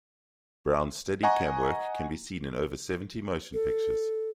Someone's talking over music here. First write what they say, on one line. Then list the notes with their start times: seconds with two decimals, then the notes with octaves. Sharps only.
Brown's Steadicam work can be seen in over seventy motion pictures.
1.23 D#5 F#5 G#5 A#5 C#6
3.54 A4